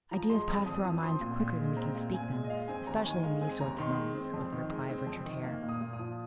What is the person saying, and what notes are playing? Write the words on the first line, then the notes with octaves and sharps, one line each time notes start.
"Ideas pass through our minds quicker than we can speak them, especially in these sorts of moments," was the reply of Richard Hare.
F3 A#5
G#3 C6
F2 D#6
F2 D#6
F3 D#6
C4 C6
A#2
A#2
G#3
C4 A#5
A#2
A#2 G#5
G#3
D#5
G#3 F5
C4 G#5
D#2 A#5
D#3 G#5
G#3 F5
C4 G#5
D#2 A#5
D#3 C6
G#3
C4
F2
D#3
G#3
C4
F2
D#3
A#3
A#2
D#6
A#2
D#6
F3